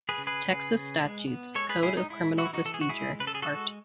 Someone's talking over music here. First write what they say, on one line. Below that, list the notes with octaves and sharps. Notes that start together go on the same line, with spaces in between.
Texas Statutes, Code of Criminal Procedure, Art.
G#4 B4
C#3
G#4 B4
C#3
C#3
G#3
B3
G#3 A4 C#5
G#4 B4
G#3 E4 G#4
D#4
G#3 E4
E3 F#4
E4
D#4 F#4
E3 A4
G#4
F#4
G#3 E4 G#4
C#3 B4
A4
G#4
F#4 A4
G#3